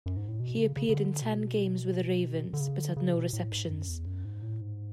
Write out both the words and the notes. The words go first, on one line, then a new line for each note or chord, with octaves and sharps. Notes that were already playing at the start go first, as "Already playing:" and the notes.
He appeared in ten games with the Ravens, but had no receptions.
F#2
G#2
A2
B2
C#3
C#3
C#3
D3
B2
D3
C#3
D3
C#3
B2
A2
G#2
F#2
E2
F#2
G#2
A2
G#2